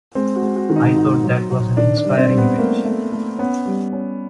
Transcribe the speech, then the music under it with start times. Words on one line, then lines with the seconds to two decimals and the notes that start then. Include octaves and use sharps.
I thought that was an inspiring image.
0.15 G#3 C4
0.36 F#4
0.42 G#3
0.56 F#4
0.69 D#3
0.76 D#4
0.96 G#2
1.24 F#3
1.50 F#3
1.77 D#3 D4
1.98 D4
2.05 G3
2.17 C4
2.31 G3
2.38 B3
2.58 A3 A#3
2.85 A3
3.12 A3
3.38 B3 C#4
3.66 G3
3.92 C#4